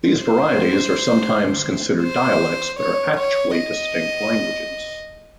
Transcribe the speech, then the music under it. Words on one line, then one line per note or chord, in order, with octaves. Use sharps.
These varieties are sometimes considered dialects but are actually distinct languages.
C5
C5
C#5
C#5
D#5